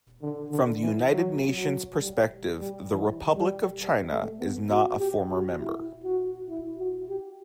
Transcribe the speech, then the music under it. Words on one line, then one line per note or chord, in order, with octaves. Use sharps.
From the United Nations' perspective the "Republic of China" is not a former member.
D3
D3
E3
F#3
F#3
G3
G3
E3
G3
G3
A3
B3
F#4
G4
F#4
E4
F#4
E4
F#4
G4